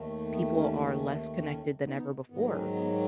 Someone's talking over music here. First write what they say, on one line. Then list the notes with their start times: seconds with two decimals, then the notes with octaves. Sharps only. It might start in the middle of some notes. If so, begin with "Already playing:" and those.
people are less connected than ever before.
Already playing: D#2 D#3 A3
0.32 B3
0.54 C#4
0.98 C#4
1.42 C#4
1.86 B3 D#4
2.30 G#2 D#3 F#3 B3
2.51 C#4
2.73 B3